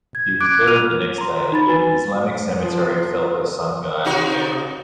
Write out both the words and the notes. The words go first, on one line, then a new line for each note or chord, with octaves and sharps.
He was buried the next day in Islamic Cemetery Felda Sungai Behrang.
G#6
D6 F#6 G#6 D7
F4 F6 D#7 F7
A#5 C6
D#4 B5 A6
F#4 B4 G#5 A6
F3
C3 D#4 F#4